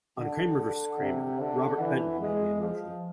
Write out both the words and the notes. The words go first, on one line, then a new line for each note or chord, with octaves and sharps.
On "Kramer versus Kramer", Robert Benton made me emotional.
D3
C3
D3
E3
G#3
F3